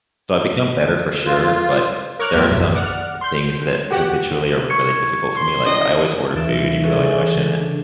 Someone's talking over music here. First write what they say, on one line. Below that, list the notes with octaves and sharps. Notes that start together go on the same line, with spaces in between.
But become better for sure, but there are some th things that habitually are really difficult for me. Like, I always order food even though I know I shouldn't
F4
A#4 C#5 C#6 D6 F6 F#6
E2 A2 F#3 F4 G4
B1 F#2 A2 C3 E5
D5 F#5 F6
C6 G6
F#4 G4 F#5
C#6 G#6 C#7
C6
C#4 E4 D5 D#5
D#2 E3 A6 D7 E7
E3 C#4 G#4 A4
C#3 D5 D#6
D4